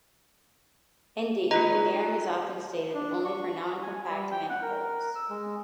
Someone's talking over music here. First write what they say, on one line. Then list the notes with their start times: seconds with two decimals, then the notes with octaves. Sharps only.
Indeed, the theorem is often stated only for non-compact manifolds.
1.51 G#3 D#4 F4 B4 D#5 A#5
2.94 D4
3.25 C#6
3.83 G#5
4.09 G3
4.31 G5
4.49 F#5
4.62 A#4
5.15 E6
5.30 G#3